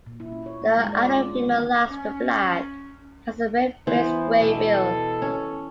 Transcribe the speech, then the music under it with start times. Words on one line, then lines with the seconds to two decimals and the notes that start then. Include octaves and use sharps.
The adult female lacks the black and has a red-based grey bill.
0.06 A#2
0.20 E4
0.32 C#4
0.46 C#5
0.62 A#3
0.78 G#3
0.93 D5
1.05 F4
1.21 C#4
1.36 B3
1.48 D#3
1.89 C#4
3.87 E3 B3 C5
4.40 B2 A4 D6
5.22 C#4